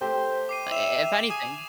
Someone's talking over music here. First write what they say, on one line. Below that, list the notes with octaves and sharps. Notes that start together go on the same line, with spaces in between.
I if anything.
A3 G4 C5
D6 C7 D#7
E5 E7 F7
G#5 D#6